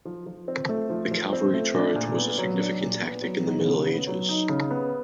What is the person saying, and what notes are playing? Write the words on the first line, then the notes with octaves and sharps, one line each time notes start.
The cavalry charge was a significant tactic in the Middle Ages.
F3
F3
C4
A3
F3
F3
C4
A3
D4
A#2
B3
F#3
D4
A#2
B3
F#3
D#4
C#3
B3
F#3
D#4
C#3
B3